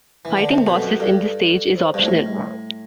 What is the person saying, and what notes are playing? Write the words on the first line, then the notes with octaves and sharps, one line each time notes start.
Fighting bosses in this stage is optional.
E3
D3
C3 C5
B2
A4
F#2
G2 A4
A4
A4
C5
G2
A2 C5
G3